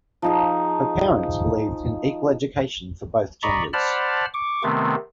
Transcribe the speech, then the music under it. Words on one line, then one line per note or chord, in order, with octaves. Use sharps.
Her parents believed in equal education for both genders.
F3 D#4 G#4
D5 D#5 A#5 B5 C#6
C5 D5 F#5 A5 B5 F6
C#6 D6
C3 D#3 A3 B3 C4